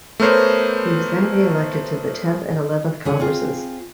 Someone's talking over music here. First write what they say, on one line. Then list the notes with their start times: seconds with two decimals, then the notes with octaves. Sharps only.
He was then re-elected to the Tenth and Eleventh Congresses.
0.20 A3 B3 A#4 C5 C#5
3.05 C#3 G#4 F#5
3.20 C4 F4 G#4